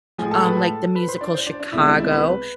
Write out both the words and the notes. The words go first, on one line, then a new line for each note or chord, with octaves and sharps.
Um, like the musical Chicago,
A2 F3 G#3 G#4 G#5
A4 A5
B4 B5
A4 A5
B4 B5
C5 C6
D4 D5
C5
D4 D5
D4 D5
C2 B2 G#3 E4 E5
D4 D5
E4 E5
B4 B5